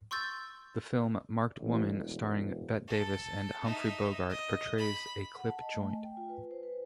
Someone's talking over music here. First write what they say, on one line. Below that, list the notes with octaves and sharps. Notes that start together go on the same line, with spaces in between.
The film "Marked Woman", starring Bette Davis and Humphrey Bogart, portrays a clip joint.
C6 C#6 E6 G6 A6
A1
E1
E1
A4
D#4 E5
D#5
B5
F#5
A5
D#5
A3
G#5
G5
F4
B4
C5
B4